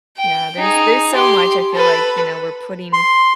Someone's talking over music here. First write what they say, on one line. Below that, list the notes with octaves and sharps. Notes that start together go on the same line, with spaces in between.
Yeah, there's there's so much I feel like, you know, we're putting,
G5
D#4 G#4
G4 C6
A4 B4
C6